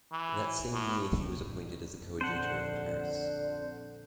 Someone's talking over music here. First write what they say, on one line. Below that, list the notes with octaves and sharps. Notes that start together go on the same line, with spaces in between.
That same year, he was appointed as the Coadjutor of Paris.
E3
A2
A#1 F2
D3 C4 C5 F#5 A5 C#7